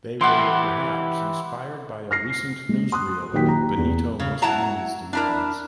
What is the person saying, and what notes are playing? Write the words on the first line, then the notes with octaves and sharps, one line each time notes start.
They were perhaps inspired by a recent newsreel of Benito Mussolini's demise.
E3 E4 G4 F#5 C6
F6 A#6 C7
G#3
C6 D#6 F#6
A#1 D#3 F#3 G4 G5 B6
A#5
E2
C#3
F#3 E4 F#5 A5 A#5
D4 E4 A#4